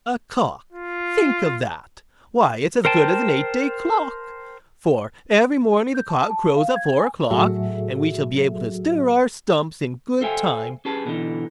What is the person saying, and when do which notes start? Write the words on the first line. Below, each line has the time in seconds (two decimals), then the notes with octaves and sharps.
A cock! think of that! why it's as good as an eight-day clock, for every morning the cock crows at four o'clock, and we shall be able to stir our stumps in good time.
0.72 F4
2.85 A#4 C5 G5 A5
5.95 G6
6.09 A5
6.30 A5
6.56 F5
6.76 G#6
6.99 G#5
7.30 A2 F#3 F#4 G#4 A4 E5
10.21 A4 C5 E5 F5 G5 G#5
10.85 C#4 G4 G#4 B4 A5
11.05 B2 D3 E3 D#4